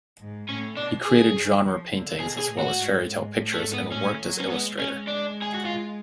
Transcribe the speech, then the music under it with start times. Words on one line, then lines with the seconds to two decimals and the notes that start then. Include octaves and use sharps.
He created genre paintings as well as fairy tale pictures and worked as illustrator.
0.20 G#2
0.48 A2 C#4
0.77 B2 D4
1.05 B2 G#4
1.35 F#3
1.62 F3
1.91 D3
2.20 B2 G#4
2.39 G#4
2.50 A2
2.59 F#4
2.78 G#2
3.06 G#2
3.35 A2
3.54 A3
3.64 G#2
3.73 B3
3.92 A2 C#4
4.22 F#3
4.40 C#4
4.50 G#3 B3
4.78 G#3 C#4
5.07 D4
5.42 G#4
5.54 F#4
5.65 F4